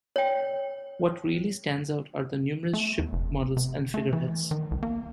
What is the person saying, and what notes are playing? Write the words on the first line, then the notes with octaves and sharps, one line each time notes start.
What really stands out are the numerous ship models and figureheads.
C#5 G5
A3
E2
F1
C3
A3
E3
D#3
C2
A#3